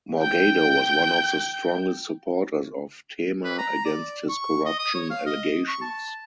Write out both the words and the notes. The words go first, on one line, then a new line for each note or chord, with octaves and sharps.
Morgado was one of the strongest supporters of Temer against his corruption allegations.
G5 G6
B4
A#5
D5
C#6
D#5
D#6
C#5
F5
D#5
C#6
A5